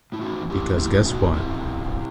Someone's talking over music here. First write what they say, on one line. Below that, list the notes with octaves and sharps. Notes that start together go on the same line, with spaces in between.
Because guess what?
A2 E4
D#4 F#4
E3
A2 E4 G4
A2
E4 G4
E3
B2 D#4 F#4
B2
C4 E4
B2
B2
B2